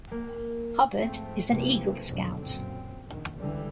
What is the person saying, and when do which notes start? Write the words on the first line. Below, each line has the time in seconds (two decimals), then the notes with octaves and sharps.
Hubbard is an Eagle Scout.
0.11 A#3
0.97 G#2 F3 A3 C4
1.47 F#2 C3 E3 A3 A#3 C4
2.07 B1 F2 G#2 B2 D3 F#3
2.42 F#2 A#2 C4
3.06 A#1 D#3
3.39 C#2 D3 E3 G3